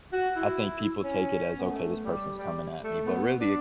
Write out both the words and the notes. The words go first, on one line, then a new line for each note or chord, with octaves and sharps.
I think people take it as, "Okay this person's coming at me," but really,
F#4
E4
C#4
B3
A3
G3
G3
A3
B3
D4